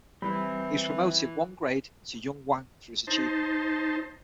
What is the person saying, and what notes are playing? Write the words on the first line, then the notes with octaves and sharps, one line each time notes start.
He was promoted one grade to "junwang" for his achievement.
E3 G3 C4 B5
D#4 C5 A5